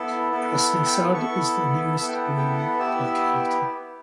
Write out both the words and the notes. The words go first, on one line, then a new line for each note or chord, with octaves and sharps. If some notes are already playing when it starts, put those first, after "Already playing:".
Krasny Sad is the nearest rural locality.
Already playing: B3 E4 A4
B3 E4 A4
F#5
G5
B3 E4 A4 C#6
B3 E4 A4 E5
G5
F#5
G5
F#5
B3 E4 G4 E5